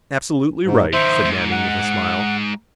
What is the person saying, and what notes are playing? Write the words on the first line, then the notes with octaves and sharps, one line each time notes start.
"Absolutely right," said Manning with a smile.
G#2
D#3 F3 C5 E5
G#2
F#5